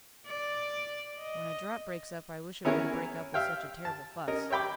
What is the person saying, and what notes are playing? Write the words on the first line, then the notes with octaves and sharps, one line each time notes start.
When a drought breaks up I wish it wouldn't break up with such a terrible fuss.
D5
D#5
B3 C#4 E4 G#4 A#4 C#5
E5 F5 G5
A5
C#4 A#4 D#5
C#5 E5 G5 B5 D6